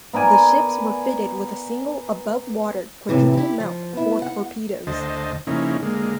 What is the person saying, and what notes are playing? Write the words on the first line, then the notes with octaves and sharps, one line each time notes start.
The ships were fitted with a single above-water quadruple mount for torpedoes.
B3 A#4 D5 G#5
A2 C3 E3
E4 G4
F3
B3 E4
F#5
D2 D3 C5 D#5 A5
C#3 F3 A#3 C#4 D#4 E4
D3 G#3 A#3